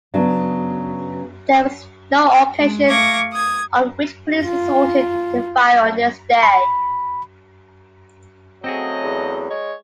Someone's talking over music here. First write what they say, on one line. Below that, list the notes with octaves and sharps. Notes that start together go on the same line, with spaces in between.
There was no occasion on which police resorted to firing on this day.
C#3 F#3 B3 D4
G#3
A3 F5 C#6 D6 G#6 A#6
D#6 G#6
F4
B5
C#3 F#3 A3 C4 F#4 G#4 D#5
E2
G#3 C#5